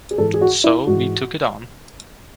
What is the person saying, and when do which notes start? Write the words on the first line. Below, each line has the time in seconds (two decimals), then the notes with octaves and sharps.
So we took it on.
0.11 G#4
0.18 G#2 E3 A4
0.34 G#4
0.41 F#4
0.64 E4
0.87 G#2 E3 F#4